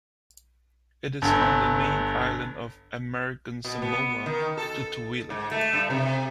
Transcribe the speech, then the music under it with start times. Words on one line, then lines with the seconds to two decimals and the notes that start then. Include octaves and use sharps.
It is on the main island of American Samoa, Tutuila.
1.22 G1 G2
3.64 B2
3.82 B3
4.26 D#3
4.57 A4
5.30 G#2
5.51 A3
5.73 G2
5.90 C3